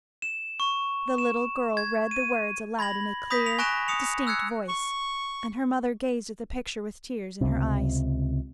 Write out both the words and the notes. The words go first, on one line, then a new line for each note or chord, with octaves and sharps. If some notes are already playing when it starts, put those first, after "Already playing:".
The little girl read the words aloud in a clear, distinct voice; and her mother gazed at the picture with tears in her eyes.
E7
C#6
E7
G#6
D#7
B5 G#6 A#6 F#7
B5 D#6 G6 A#6 B6
F7
G#5 C#6 F#6 A#6 D7 E7
D#6 C#7 F7
E6 F#6 G#6 C#7
C#6
C#2 C3